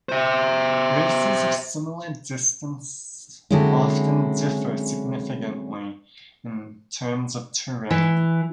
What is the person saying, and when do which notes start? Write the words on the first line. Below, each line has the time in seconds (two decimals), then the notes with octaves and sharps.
Races of similar distance often differ significantly in terms of terrain.
0.09 C5 E5
3.50 D3 F#3 G#3 C4 C#4 E4
7.90 E3